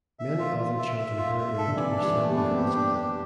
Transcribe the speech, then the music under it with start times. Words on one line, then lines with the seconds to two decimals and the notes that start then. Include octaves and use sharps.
Many other children her age were sent there as well.
0.19 E5
0.39 F4
0.59 F4
0.79 E5
0.98 E5
1.18 F4
1.38 E5
1.57 A4
1.67 D3
1.76 C3 E3 D5
1.97 D4
2.03 E3 G3
2.16 A3
2.29 G3 B3
2.36 D4
2.50 C4
2.55 G3 B3 G4
2.75 D4
2.95 G4